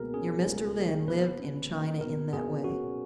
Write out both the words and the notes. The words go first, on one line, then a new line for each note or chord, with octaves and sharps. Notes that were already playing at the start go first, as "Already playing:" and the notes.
Your Mr. Lyne lived in China in that way.
Already playing: C#2 B2 A#3 G#4 A#4
C#4 G#4
C#2
A#3
B2 B4
C#4
A#3
B2 A#4
B2 G#4
C#4 F#4